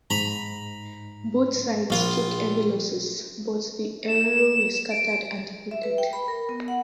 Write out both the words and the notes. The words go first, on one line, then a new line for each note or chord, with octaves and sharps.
Both sides took heavy losses, but the Herero were scattered and defeated.
G#2 A#5 B5
A#1 F4
E7
D7
E5
B4
G5
B5
A#4
B3
F#5